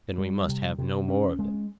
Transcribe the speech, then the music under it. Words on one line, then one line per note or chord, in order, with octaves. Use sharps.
Then we must have no more of them.
G3
C3
C3
C#4
G#3